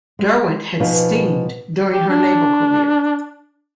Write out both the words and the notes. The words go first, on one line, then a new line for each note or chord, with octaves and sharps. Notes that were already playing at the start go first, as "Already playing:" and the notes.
"Derwent" had steamed during her naval career.
G#3
B2 F3 B3 D#4 G#4 B4
G4
D4